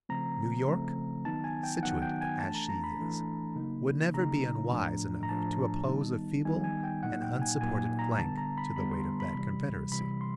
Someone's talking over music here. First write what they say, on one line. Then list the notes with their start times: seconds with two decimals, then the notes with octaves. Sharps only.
New York, situated as she is, would never be unwise enough to oppose a feeble and unsupported flank to the weight of that confederacy.
0.09 C#3 F3 A3 C4 A#5
0.67 C#3 F3 A3 C4
1.25 D#3 F#3 B3 D#4 A5
1.44 G#5
1.63 G5
1.83 D#3 F#3 B3 D#4 F#5
2.02 G5
2.21 G#5
2.40 E3 A3 D4 A5
2.55 A#5
2.69 A#5
2.84 B5
2.99 E3 A3 D4
3.56 C#3 F#3 A#3 D#4
4.14 C#3 F#3 A#3 D#4 A#5
4.71 A2 F3 A3 D4
5.23 A#5
5.29 A2 F3 A3 D4 A5
5.87 D#3 G3 B3 D#4
6.45 D#3 G3 B3 D#4 G#5
6.64 G#5
6.84 G5
7.03 A#2 F#3 A#3 D#4 F#5
7.22 G5
7.42 G#5
7.61 A#2 F#3 A#3 D#4 G#5
7.99 A#5
8.19 D3 G3 B3 A5
8.38 A#5
8.58 B5
8.76 D3 G3 B3 B5
8.91 C6
9.20 B5
9.35 C3 E3 G3
9.92 C3 E3 G3 B5
10.21 C6